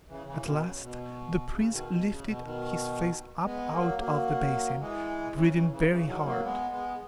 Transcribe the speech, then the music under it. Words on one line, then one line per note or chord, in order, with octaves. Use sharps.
At last the Prince lifted his face up out of the basin, breathing very hard.
C#3 E3
C#3 E3
C#3
B2 D#3
C#3
B2
B2
C#3
B2 D#3
B2
C#3
B2
B2 D#3
G#3 B3
F#3 A#3
F#3 A#3
E3 G#3
C#3 E3
C#3 E3
C#3 E3
C#3 E3
D#3 F#3
F#3 A#3
G#3 B3
G#3 B3